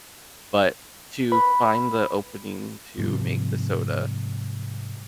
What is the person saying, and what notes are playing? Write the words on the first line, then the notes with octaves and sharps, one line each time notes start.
But to find the opening to make the soda,
B4 B5
G#2 C3 F3 G3